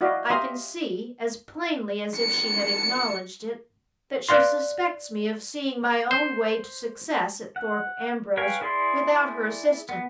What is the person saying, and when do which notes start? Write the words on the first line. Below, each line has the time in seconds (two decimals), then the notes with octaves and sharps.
I can see, as plainly as if she had acknowledged it, that she suspects me of seeing my own way to success at Thorpe Ambrose without her assistance.
0.01 E4 F#4 D5 D#5 F5
0.30 G4 E5 F5 A#5 C6 D#6
2.17 C#7
4.29 B4 D5 F5 C6
6.11 C5
7.56 F#5
8.37 B4 C#5 F5 G5 G#5
8.61 E4 G#4 D5 B5 C6
9.89 B3